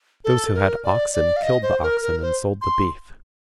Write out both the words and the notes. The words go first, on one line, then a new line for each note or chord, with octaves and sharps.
Those who had oxen killed the oxen and sold the beef.
A4
A#4
D5
D5
F5
D#5
C5
A#4
A#4
C5
C6